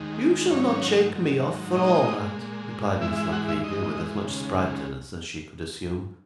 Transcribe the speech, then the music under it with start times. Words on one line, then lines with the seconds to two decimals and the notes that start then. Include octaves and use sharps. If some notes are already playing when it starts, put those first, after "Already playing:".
'You shall not shake me off, for all that,' replied Miss La Creevy, with as much sprightliness as she could assume.
Already playing: D#2 D#3 G#3
0.51 G#2 D#3 F#3 C#4 C#5
1.14 G#2 D#3 F#3
1.76 A#2 G#3 D#4 D#5
2.39 A#2 G#3
3.01 G#2 E3 G#3 E4 E5
3.17 E4 E5
3.32 F#4 F#5
3.48 E4 E5
3.64 G#2 E3 G#3 D#4 D#5
4.26 D#2 C#3 G#3